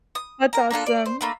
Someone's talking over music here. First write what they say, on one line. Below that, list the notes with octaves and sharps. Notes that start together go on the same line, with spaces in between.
That's awesome.
D#6
A#4 A#5
A#3 D4 F4 A4
D5
C5
A3 A#3 B5